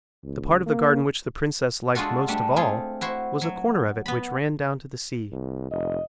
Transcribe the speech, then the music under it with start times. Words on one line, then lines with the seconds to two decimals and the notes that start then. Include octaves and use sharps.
The part of the garden which the princess liked most of all was a corner of it which ran down to the sea.
0.23 C#2
0.66 A#3
1.95 G#3 D4 F4 F#4 A4
2.28 G3 A3 D4
2.56 A3 C4 F4 G#4
3.01 E4 F#4 C5
3.42 F#3
4.06 B3 B5
5.32 C2
5.71 F1 D#5